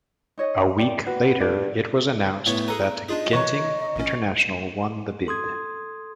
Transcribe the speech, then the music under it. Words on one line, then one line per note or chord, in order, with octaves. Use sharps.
A week later it was announced that Genting International won the bid.
D#4 C#5 D#5
G4 D5
B3 F#4
G2 D5
A2 B3 C#5
G#4 A4 B4 A#5 D#6
D4 D#4 F4 G#4 D#5
C3 E3 B4 C#5 A#5 C#6
A1 C#4
A4 C6 D#6 G#6